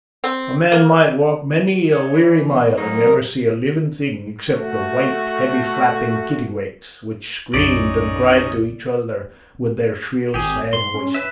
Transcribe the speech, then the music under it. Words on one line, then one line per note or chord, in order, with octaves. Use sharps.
A man might walk many a weary mile and never see a living thing except the white, heavy-flapping kittiwakes, which screamed and cried to each other with their shrill, sad voices.
C4
A#3
G#4 C#5 D5
E3
B2
G#2 F#3 A3 A#3 D#4
A#4
A3 F#4
B1 F#2 C#4 D#4 D5
G#1 G4 G#4
G#2 C6
C#4
B4 E5